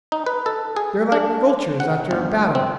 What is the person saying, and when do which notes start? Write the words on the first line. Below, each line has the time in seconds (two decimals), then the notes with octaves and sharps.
"They're like vultures after a battle."
0.12 D#4
0.26 B4
0.46 A4
0.76 G#4
1.12 D4
1.80 F#5
2.11 G1
2.55 C4